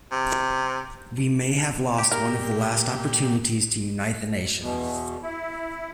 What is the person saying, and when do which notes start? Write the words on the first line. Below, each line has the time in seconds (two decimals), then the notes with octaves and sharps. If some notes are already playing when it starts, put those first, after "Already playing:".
We may have lost one of the last opportunities to unite the nation.
0.12 C3
1.98 G4
2.12 A#2 G4 A#4
4.60 E2 B2
5.23 E4